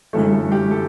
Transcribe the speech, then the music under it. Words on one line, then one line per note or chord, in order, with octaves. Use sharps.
and, um
G1 F#2 E3 A3 A4
A4
G4
A4